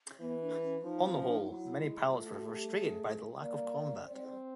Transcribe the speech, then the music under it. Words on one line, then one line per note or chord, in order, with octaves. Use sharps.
On the whole, many pilots were frustrated by the lack of combat.
E3 B3
D4
C#4
F3 D#4
C4
C#4
D4
D#4
F#3 E4
G#3
A3 F4
F#4
G#4
G4
A4
G#4
A#3 D5
C4